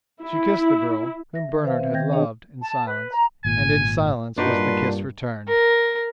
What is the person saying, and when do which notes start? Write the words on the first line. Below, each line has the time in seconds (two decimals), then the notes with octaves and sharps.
She kissed the girl, whom Bernard had loved, in silence; and in silence was the kiss returned.
0.24 E4
1.33 E5 A#6
1.49 D#3
1.63 B4 C5 E5 F5
1.80 C4 E5
1.94 D#3 G5 G6 G#6 A#6
2.12 D4 G#4 C#5 D#5 G5
2.60 A5
2.86 B4
3.11 A#5
3.45 G#1 A#2 G#5
4.38 G2 A#2 D4 D#4 F#4 B4 C6
5.48 A#4